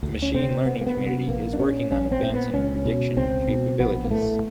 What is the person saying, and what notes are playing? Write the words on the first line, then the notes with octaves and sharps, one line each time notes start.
The machine learning community is working on advancing prediction capabilities.
D2
C#4
C3 C4
D2 B3
A#3
B3
C3
B3
A#1 A#3
D4
A#2 C#4
A#1 C#4
C4
A#2
B3
C#2 C#4
B2
C#2 C4
B2
A#1 B3
A#3
A2 A3